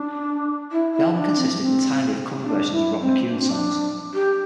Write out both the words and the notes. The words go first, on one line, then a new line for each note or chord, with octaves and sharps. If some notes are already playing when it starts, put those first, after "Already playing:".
The album consisted entirely of cover versions of Rod McKuen songs.
Already playing: D4
E4
E4
D4
C4
C4
D4
E4
C4
D4
C4
D4
G4